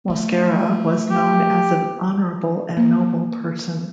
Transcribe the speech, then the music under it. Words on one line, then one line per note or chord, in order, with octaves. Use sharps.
Mosquera was known as an honorable and noble person.
A3
G4
A#3